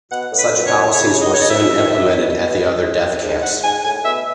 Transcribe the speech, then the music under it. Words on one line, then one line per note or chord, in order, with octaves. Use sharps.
Such policies were soon implemented at the other death camps.
B2 F#5
A2
B4
F#2
C#5
F#2
C#3 C#5
D#5
C#5
D#5
E5
D#3
D#3
B2
B2
A2
G#2
F#2
G#2
G#2 F#5
G#2 G#5
A2 G#5
B2 E5